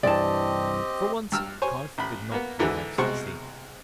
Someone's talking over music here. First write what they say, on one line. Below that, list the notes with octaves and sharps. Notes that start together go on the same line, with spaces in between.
For once Kauf did not rehearse the scene.
C2 G2 E3 C4 G4 D5 D#5 A5
G2 E6 F6
C5 C#5 G#5
A1 B5
A#3 B3
G#2 D3 E3
C2 B2 G#3 C5 C#6